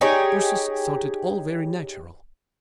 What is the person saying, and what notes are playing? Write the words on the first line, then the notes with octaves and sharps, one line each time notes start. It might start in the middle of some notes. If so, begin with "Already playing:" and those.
Ursus thought it all very natural.
D#4 G4 G#4 C#5